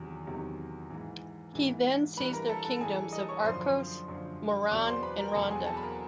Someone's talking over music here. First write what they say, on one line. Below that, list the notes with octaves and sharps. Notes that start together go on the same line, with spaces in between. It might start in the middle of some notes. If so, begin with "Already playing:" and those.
He then seized their kingdoms of Arcos, Moron, and Ronda.
Already playing: E2 C3 D#3 F#3
E2 C3 D#3 F#3
G#2 E3
G#2 E3
G2 E3 B4 B5
A#4 A#5
A4 A5
A4 A5
G2 E3 G#4 G#5
D#5 D#6
C#5 C#6
F#2 D3 F3 C5 C6
F#2 D3 F3
E2 B2 F#3 D5 D6
C5 C6
B4 B5
A#4 A#5
E2 B2 F#3 A4 A5
G#4 G#5
A4 A5
B5
A#4 A#5